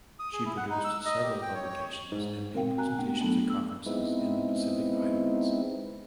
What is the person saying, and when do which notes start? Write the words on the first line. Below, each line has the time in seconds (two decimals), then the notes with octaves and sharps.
She produced several publications and made presentations at conferences in the Pacific Islands.
0.19 D#6
0.33 G#4
0.45 E4
0.57 F#5
0.70 D#4
0.84 E6
1.05 D#5
1.23 G4
1.42 G5
1.55 C#5
1.69 C#5
2.12 G#2
2.53 A#2 D3 C4 A#4 F5 G5
2.77 F#4 G#5 A#5 F#6
2.98 G#3 A3 B3 D4 F#5 G5
3.20 F#3 A3 B3 D4 F4 A4
3.50 E6
3.86 G#3 B3 C4 D#4 E4